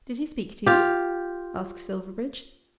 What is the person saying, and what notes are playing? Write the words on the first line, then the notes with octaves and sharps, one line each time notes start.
"Did he speak to you?" asked Silverbridge.
F4 G4